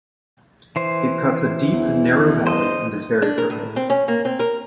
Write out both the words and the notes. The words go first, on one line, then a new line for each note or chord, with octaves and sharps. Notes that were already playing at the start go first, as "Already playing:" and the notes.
It cuts a deep, narrow valley and is very crooked.
E3 C5
E2
C5 D#5
D4
A#4
A2
C4
C#4
A#3
C4
A#4